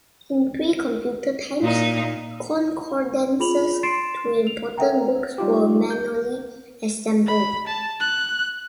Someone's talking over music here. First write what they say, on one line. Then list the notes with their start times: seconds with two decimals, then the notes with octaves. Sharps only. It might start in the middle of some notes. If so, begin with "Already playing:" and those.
In pre-computer times, concordances to important books were manually assembled.
1.62 A#2 D#4
3.40 F4 G#4 B5 F7 F#7
3.83 C6 A6 C7 D7 E7
4.47 F7
4.78 A4 A#4 E5 F#5 G5 A#5
5.38 G3 D#4 F4 G4
5.90 G6
7.27 B5
7.67 A5
8.00 F#6